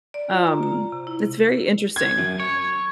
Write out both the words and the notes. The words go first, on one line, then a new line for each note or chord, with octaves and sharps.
Um, it's very interesting.
D5
F4
A#5
A#5
C3
E4
G#6
F#2
C#5